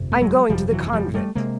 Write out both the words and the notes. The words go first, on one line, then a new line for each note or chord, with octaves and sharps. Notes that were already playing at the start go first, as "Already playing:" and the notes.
"I'm going to the convent."
Already playing: G1 F2 C3
A3
F#3 G#3
G1 F2 C3 F3 G3
E3 F#3
G#3
F3 G3
G3 A3
C3 G#3 A#3